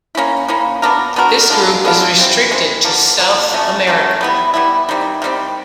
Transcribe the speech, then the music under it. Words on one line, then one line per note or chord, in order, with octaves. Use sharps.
This group is restricted to South America.
A#3 C#4 E4
A#3 C#4 E4
B3 D4 F#4 A#4
B3 D4 F#4 A#4
G#3 B3 D4 F4
G#3 B3 D4 F4
E3 G#3 C4
E3 G#3 C4
D3 F3 A#3
D3 F3 A#3
F#3 A3 C#4
F#3 A3 C#4
G3 B3 E4
G3 B3 E4
D#3 G3 C4
D#3 G3 C4